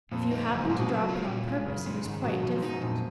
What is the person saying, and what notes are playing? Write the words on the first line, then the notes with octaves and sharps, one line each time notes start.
If you happen to drop it on purpose, it is quite different.
F2 A#2
D#4
F#2 C#3
G#2
A#2 G#3
B2
C#3 F#3
F4
A#2
G#3
F#2 C#3
G#3
G#2 D#3
B2 F#3
B2 F3
G#2
D#4
F#2
F2 A#2